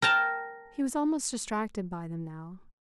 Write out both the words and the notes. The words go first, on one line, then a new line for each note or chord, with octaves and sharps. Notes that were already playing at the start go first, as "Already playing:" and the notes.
He was almost distracted by them now.
A#4 G5 A5 A#5